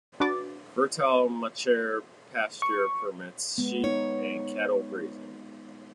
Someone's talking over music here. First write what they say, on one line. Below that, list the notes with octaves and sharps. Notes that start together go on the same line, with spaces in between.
Fertile machair pasture permits sheep and cattle grazing.
D4 F#4 B4 D6 A6
C#6
G#3 B3
D#4 C#5